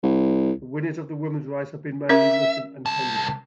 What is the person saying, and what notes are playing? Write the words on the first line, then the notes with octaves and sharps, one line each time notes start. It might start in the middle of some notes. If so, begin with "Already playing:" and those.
The winners of the women's race have been mainly Russian and Kenyan.
C2
C#4 A#4 E5
C2 A5